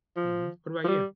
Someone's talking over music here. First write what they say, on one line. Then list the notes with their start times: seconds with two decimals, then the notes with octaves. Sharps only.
Mhm. What about you?
0.16 F3
0.84 F3
0.88 G3